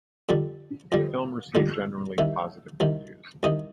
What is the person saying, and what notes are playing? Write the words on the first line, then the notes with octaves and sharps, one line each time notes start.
The film received generally positive reviews.
F2 D3 G3
F2 D3 G3
F2 D3 G3
C2 C3 D#3 E5
C2 C3 D#3
C2 C3 D#3 D#5